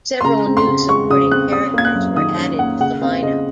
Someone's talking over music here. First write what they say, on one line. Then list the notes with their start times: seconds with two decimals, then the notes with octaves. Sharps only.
Several new supporting characters were added to the lineup.
0.21 C6
0.24 C#3 A#5
0.46 C4
0.57 C6
0.68 C#3
0.89 G#3 C#6
1.10 C#3 D#6
1.31 C4 F#6
1.52 C#4 D#6
1.74 A#3 G#6
1.85 F#6
1.95 F#2
2.16 D#3 D#6
2.37 C#4
2.59 A#3 F#5
2.80 C#3 F#5
3.01 C4 F5
3.22 C#3 D#5